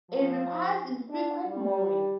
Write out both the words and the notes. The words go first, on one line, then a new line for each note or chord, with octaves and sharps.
It requires infrequent mowing.
F3
D4
G3